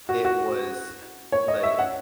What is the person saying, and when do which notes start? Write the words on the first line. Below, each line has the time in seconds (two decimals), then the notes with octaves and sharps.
it was i like,
0.09 F#4
0.25 F#4
1.32 C#5
1.48 D#5
1.63 E5
1.79 F#5